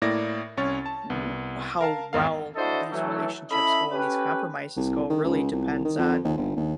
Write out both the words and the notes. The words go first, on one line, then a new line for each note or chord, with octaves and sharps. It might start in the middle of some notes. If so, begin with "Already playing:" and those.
w w how well these relationships go and these compromises go really depends on
A2 A#3 E4 D5 A#6
C2 C#4 C#5 A6
A5
C2 B3
A#4 F5 A5
G#1 E2 F5
D4 E4 F#4 A4 C5 D#5
E3 F#3 A3
C#4 E4 A4 D#5 E5 B5
C#4 G4 A4 B4
C2
D#3
C#2
C2
D#3
F2
D#2
G1
D#2